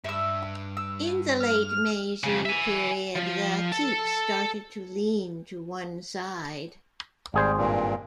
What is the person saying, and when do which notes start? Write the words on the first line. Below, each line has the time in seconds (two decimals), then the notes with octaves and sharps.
In the late Meiji period the keep started to lean to one side.
0.04 G2 E5 E6
0.77 E6
1.40 F6
2.24 F2 C#3
2.46 E5 G#5
3.16 F3
3.72 A4
7.34 G#1 G3 G#4 C5
7.57 G2 A#2